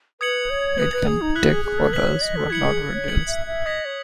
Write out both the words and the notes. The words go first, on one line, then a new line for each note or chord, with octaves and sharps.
It can take photos but not videos.
B4 D#6 G#6 C#7 F#7
C#5
B4 D#6 G#6 C#7 F#7
B4
G#4
D#4
E4 F#6 B6 F#7
G#4
G#4
A4
B4 F#6 B6 F#7
C#5
D#5
A4
E4 G#6 C#7 F#7
G#4
C#5
G#6 C#7 F#7
E5
E5
D#5 D#6 G#6 B6
C#5